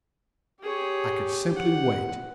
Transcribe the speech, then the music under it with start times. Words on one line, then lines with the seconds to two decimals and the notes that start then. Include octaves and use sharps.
I could simply wait.
0.63 G4 G#4 C#5
1.57 F#5